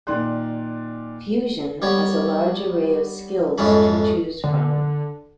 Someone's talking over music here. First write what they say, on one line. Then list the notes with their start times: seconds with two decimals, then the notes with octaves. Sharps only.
"Fuzion" has a large array of Skills to choose from.
0.07 A#2 D#3 D5 C6 F#6
1.82 G3 B3 C#5
3.58 F2 G#2 A3 C#4 B5
4.44 D3